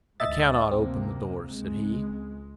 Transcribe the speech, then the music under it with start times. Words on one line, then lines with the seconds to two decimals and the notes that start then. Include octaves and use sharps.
"I cannot open the door," said he.
0.20 D2 G#2 D#5 E5 A6
0.71 D2 C3 A#3 C4
1.47 C#2 G#3